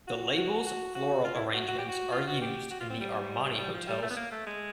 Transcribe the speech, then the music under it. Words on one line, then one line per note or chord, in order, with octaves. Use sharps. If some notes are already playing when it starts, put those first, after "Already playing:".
The labels floral arrangements are used in the "Armani" hotels.
F#4
F#4
F#4
F#4
F4
E4
F#4
F#4
G4
F#4
F4
F#4
G4
F#4
F4
C4
G3
G3
F3
G3
A3
B3
A#3
A3
G#3